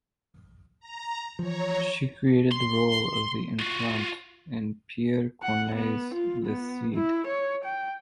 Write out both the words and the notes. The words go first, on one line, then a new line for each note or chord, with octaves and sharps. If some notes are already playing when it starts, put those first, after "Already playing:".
She created the role of the Infante in Pierre Corneille’s "Le Cid".
A#5
E3 F3 C#5 A#5
C6
F4 F#4
F#5
B3
F4
B3
E4
C#5
G5